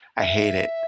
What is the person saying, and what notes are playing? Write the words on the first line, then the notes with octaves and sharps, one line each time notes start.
I hate it.
E5